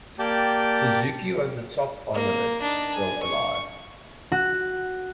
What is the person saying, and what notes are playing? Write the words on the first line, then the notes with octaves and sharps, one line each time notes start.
Suzuki was the top finalist still alive.
A#3 G4 D5 G5 A5
A#3
D4 D#4
G#5
C#6
F#4